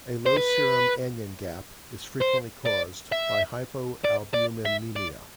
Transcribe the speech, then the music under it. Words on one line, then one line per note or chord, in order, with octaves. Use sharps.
A low serum anion gap is frequently caused by hypoalbuminemia.
C5
B4
C5
D5
E5
D5
D5
E5
D5